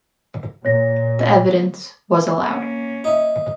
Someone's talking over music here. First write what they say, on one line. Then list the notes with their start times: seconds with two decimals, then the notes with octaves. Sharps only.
The evidence was allowed.
0.65 A#2 C#5 A#6
2.45 A#3 C#4
3.04 D#4 E5